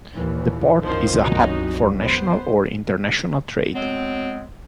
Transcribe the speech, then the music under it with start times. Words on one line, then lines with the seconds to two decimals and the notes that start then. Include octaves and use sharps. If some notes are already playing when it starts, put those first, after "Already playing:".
The port is a hub for national or international trade.
0.17 D#2 A#2 E3
0.83 C2 F#2 D#3 F3 C5
1.21 C#4 D#4 F#4
2.00 B3 C5
3.74 F#3 G#3 B3 C4